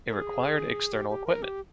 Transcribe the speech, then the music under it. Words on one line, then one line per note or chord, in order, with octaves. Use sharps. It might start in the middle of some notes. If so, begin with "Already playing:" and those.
It required external equipment.
A#4
G#4
G4
G4
A#4
G4